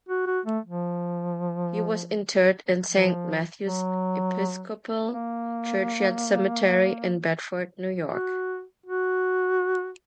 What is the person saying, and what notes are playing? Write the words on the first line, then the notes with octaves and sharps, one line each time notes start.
He was interred in Saint Matthew's Episcopal Churchyard cemetery in Bedford, New York.
F#4
F#4
A3
F3
F3
F#3
A#3
F#4
F#4